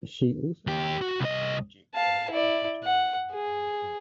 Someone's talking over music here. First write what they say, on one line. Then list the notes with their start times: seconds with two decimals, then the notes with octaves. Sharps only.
She also worked on projects related to tourism and the Port.
0.67 D#2 G4
1.01 F#4
1.20 C2 D#5
1.94 F5 A5
2.31 E4 D5
2.83 F#5
3.32 G#4